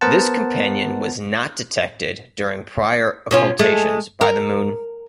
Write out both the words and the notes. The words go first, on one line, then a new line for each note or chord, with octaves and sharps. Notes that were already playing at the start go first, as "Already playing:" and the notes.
This companion was not detected during prior occultations by the Moon.
B3 A#4 C5 F#5 A5
B2 C#4 F4
G#3 A3
A#4